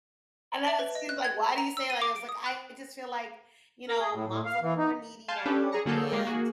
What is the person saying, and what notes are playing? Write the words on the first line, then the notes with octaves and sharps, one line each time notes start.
and I was she was, like, "Why do you say that?" I was, like, "I just feel, like, you know, mom's a little more needy now and"
E5
B4
D#5
F#6
G#6
A#5
E6
D#7
D6
D7
D#6
F#6
A#4
G#4
A2
A2
F5
E3
D#4
F5 G#5 A5 C6 G6
C#4 D4 G4 A4 B4
G#4 A#5 A#6 C#7
D3 F#3 A#3 G#4 A4 G6
G#3 A#3 F4 G4 D5
A#3 F#4 G#4